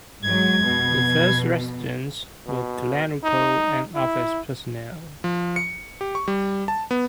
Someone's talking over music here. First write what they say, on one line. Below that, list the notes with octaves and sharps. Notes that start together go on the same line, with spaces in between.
The first residents were clerical and office personnel.
G#2 F#3 G#3 G#6
F2 B2
B2
D#4
E4
F3
C#7
G4
C#6
G3
A5
B3